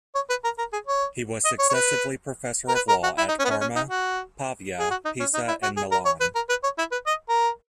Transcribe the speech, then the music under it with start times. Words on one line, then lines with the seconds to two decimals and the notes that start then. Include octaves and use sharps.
He was successively professor of law at Parma, Pavia, Pisa and Milan.
0.15 C#5
0.30 B4
0.44 A#4
0.58 A#4
0.73 G#4
0.87 C#5
1.45 D#5
1.59 C#5
1.69 C#5
1.74 B4
2.68 A#4
2.75 B4
2.89 A#4
3.03 F#4
3.18 E4
3.29 D#4
3.39 C#4
3.45 B3
3.50 C#4
3.61 C#4
3.76 D#4
3.90 F#4
4.79 G#4
4.91 F#4
5.05 D#4
5.20 C#4
5.34 D#4
5.48 E4
5.63 F#4
5.77 G#4
5.92 A#4
6.06 C#5
6.21 B4
6.35 A#4
6.49 B4
6.64 C#5
6.78 E4
6.92 B4
7.07 D#5
7.29 A#4